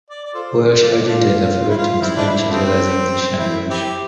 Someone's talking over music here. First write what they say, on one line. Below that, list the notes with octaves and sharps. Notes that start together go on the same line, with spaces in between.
Welsh-Argentines are fluent in Spanish as well as English and Welsh.
D5
D5
F4 A4 C5
F4 A4 D5
A3 D4 F4
E4
F4
G3 C4 E4
D4
E4
F3 A3 C4
C4
E4
C4 E4 G4